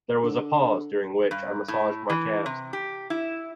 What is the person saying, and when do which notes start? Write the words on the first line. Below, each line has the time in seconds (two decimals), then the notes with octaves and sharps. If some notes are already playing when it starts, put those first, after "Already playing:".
There was a pause, during which I massaged my calves.
0.23 D3
1.31 G2
1.68 A2
2.09 E3
2.46 C3
2.73 G4
3.10 E4